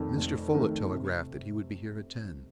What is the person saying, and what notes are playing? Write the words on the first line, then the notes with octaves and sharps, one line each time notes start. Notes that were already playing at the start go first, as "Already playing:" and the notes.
"Mr. Folett telegraphed that he would be here at ten."
Already playing: F1 F2 D#3 A3
F1
F2 D#3 A3
C3